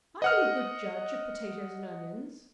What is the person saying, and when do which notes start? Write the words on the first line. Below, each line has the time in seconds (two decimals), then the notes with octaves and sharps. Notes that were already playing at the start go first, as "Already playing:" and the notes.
Are you a good judge of potatoes and onions?
0.22 D#5 F#5 F6